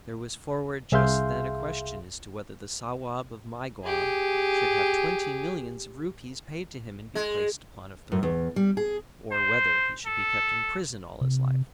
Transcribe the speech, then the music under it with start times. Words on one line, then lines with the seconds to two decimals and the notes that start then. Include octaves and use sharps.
There was forward just then a question as to whether the Sawab of Mygawb should have twenty millions of rupees paid to him and be placed upon a throne, or whether he should be kept in prison all his life.
0.92 C2 G#4 E5 F5 C6 G6
3.84 G4 G#4
7.15 G#3
8.12 F#2
8.23 E2
8.56 G3
8.77 G#4
9.32 C5
10.06 A4
11.21 C3